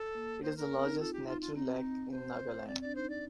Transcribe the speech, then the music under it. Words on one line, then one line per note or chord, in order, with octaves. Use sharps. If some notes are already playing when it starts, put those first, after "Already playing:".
It is the largest natural lake in Nagaland.
Already playing: A4
A#3
C5
A#4
C4
D#4
F4 A4
G4
D#4 F4
F4
C4 D#4
C4
C4
C5
C4 D5
D4 D5
D#4 C5
D5